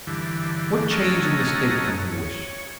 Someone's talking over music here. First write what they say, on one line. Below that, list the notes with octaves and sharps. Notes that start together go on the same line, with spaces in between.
What change in the state can they wish?
G2 D3 E3
F#3 A3 C#4 D#5 A#5 F6
C#5